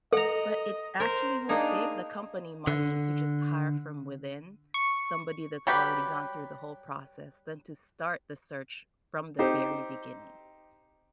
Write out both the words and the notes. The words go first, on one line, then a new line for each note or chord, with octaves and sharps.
but it actually will save the company money to just hire from within, somebody that's already gone through the whole process than to start the search from the very beginning,
A4 D#5 F#5 A#5
A#4 C5
A#3 D4 D#4 G#4
D3
C#6
F#3 G3 G4 B4
C4 D#4 G4 C5